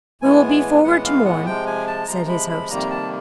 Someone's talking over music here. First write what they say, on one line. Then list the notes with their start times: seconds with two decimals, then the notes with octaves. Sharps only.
We will be forward to-morn, said his host.
0.22 A2 E3 G#3 B3 G#5
0.84 A2 E3 G#3 B3 F#5
1.05 F5
1.25 F#5
1.46 C3 F3 G#3 G5
1.67 G#5
1.87 A5
2.08 C3 F3 G#3 A#5
2.29 B5
2.49 B5
2.70 F2 C3 D#3 G3 A#3 A#5
2.91 A5